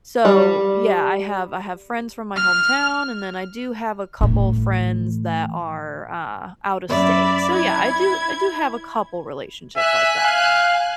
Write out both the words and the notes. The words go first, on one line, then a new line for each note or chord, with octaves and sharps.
so yeah, I have I have friends from my hometown and then I do have a couple friends that are, uh, out of state. So, yeah, I do I do have a couple relationships like that.
G3
F6
A2 E3
F#2 D5 E5 B5
E4 G#6
E5 G#5 F#6
F5